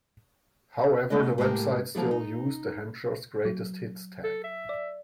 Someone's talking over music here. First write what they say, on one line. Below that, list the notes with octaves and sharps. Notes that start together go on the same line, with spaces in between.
However the website still used the Hampshire's Greatest Hits tag.
A3 B3 E4 F4 B4 D#5
A2 G#3 A#3 C#4 G4 A#4
F3 F#3 A#3 E4 G#4 A4
D#4
F#3
A4
E5
D5